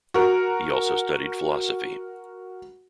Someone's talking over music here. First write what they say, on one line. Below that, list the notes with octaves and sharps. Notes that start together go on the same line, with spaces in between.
He also studied philosophy.
F#4 A#4